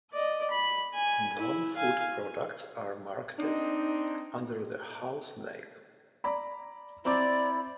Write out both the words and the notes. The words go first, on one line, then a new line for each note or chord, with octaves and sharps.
Non-food products are marketed under the "House" name.
D5 D#5
B5
G#5
E4
F5 G#5
C4 D4 D#4
D5 A#5 B5
C4 E4 D5 A#5 D6